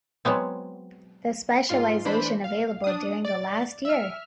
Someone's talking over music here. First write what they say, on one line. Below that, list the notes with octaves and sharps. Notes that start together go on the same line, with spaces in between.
The specialization available during the last year.
F#3 G#3 B3 C4
G#2 F4 C6
E3 D4 C5 B5
F5
D4 D#6
D5 A6
E5 F6